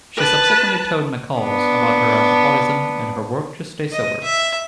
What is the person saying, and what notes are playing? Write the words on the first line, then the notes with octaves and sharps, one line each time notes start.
She subsequently told "McCall's" about her alcoholism and her work to stay sober.
B4 A5
B3 D4
D#5
E5